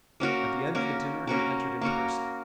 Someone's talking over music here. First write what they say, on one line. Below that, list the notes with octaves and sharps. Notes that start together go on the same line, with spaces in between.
At the end of the dinner he entered in person.
A#3 C#4 F#4 A#4
A#3 C#4 F#4 A#4
A#3 C#4 F#4 A#4
A#3 C#4 F#4 A#4